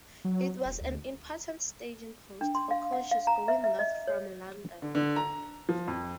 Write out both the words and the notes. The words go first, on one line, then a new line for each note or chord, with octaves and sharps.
It was an important staging post for coaches going north from London.
F#3
E1
D2
D4
C6
F5
F#5
F5
A#5
E5
E5
D#5
C#5
D3
D3
A#5
F3
F2